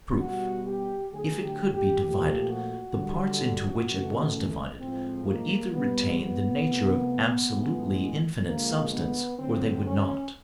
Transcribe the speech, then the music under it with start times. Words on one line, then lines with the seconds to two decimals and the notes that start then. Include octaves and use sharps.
Proof.--If it could be divided, the parts into which it was divided would either retain the nature of absolutely infinite substance, or they would not.
0.21 B2 G3 F#4
0.66 G4
1.12 D3 F#3 A3 G#4
1.43 G4
1.73 G4
2.04 A#2 F3 A3 G4
2.50 F#4
2.96 D3 G3
3.88 C#3 E3 A3
4.80 A2 F3 G#3 C4
5.26 A#3
5.71 B2 G3 B3
6.17 B3
6.63 C3 F3 A3
7.55 A2 E3 G#3
8.47 D3 F3 G#3 A#3
8.92 B3
9.39 D3 F#3 A3 C4
9.84 C#4